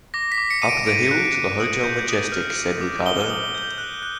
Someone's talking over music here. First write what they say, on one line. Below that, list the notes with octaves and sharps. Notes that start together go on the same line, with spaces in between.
"Up the hill to the Hotel Majestic," said Ricardo.
D6 A#6
B6
D6
C#7
D6 D#7
D7
D6 D7
F#6
F#6
D#6
G6
D#6
F6
F6
D6
D#6 G7
D#6
G6
F#6
F#6